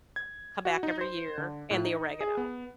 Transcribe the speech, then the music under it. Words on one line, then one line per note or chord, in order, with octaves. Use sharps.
come back every year, and the oregano,
G#6
F#4
D#4
C5
D3
A2
D#4
G#4
B3